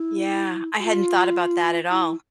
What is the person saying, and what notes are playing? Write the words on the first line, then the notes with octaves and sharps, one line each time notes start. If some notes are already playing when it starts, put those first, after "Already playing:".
Yeah, I hadn't thought about that at all,
Already playing: E4
F#4
F4
E4